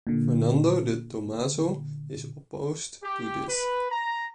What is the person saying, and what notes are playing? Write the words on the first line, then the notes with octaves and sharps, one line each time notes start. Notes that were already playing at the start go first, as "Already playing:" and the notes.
Fernando de Tomaso is opposed to this.
A#2 D3
G4
B4
A#5